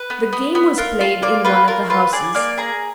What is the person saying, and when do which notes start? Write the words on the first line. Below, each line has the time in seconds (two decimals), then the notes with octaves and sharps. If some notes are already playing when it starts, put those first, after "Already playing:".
The game was played in one of the houses.
Already playing: B4
0.10 B3
0.33 B3
0.55 B3
0.78 F4 A#4
1.00 F4
1.22 A#3 D5
1.45 F4 B4
1.68 F4 A#4
1.90 F4 B4
2.13 G#4 D5
2.35 A#3 D5
2.58 G#4 A#5